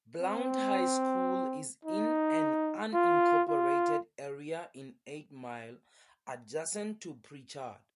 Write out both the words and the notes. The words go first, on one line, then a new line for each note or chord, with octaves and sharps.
Blount High School is in an unincorporated area in Eight Mile, adjacent to Prichard.
C4
D#4
F4
F4